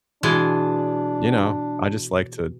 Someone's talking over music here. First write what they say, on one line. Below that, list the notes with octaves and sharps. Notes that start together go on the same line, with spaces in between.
you know, I just like to
B2 E3 G#3 D4